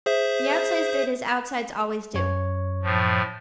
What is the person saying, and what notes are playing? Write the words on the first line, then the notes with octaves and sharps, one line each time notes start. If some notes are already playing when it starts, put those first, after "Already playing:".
The outsides did as outsides always do.
G#4 C5 E5
F#2 C#5
A2 F3